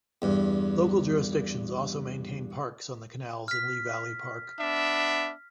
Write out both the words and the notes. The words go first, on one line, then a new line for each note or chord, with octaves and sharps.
Local jurisdictions also maintain parks on the canals in Lee Valley Park.
E2 G2
F6 B6
B3 D4 E5